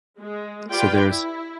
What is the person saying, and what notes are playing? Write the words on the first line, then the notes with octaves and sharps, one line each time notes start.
So there's
G#3
F4 G4 B4 D5 G5
E4